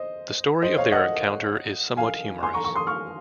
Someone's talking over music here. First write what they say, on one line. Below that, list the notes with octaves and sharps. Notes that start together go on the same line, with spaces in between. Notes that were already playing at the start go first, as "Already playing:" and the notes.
The story of their encounter is somewhat humorous.
Already playing: C5 D#5
C5 D#5
C#5 F5
D#5 F#5
F5 G#5
G#5 C6
A#5 C#6
A#5 C#6
C6 D#6
C#6 F6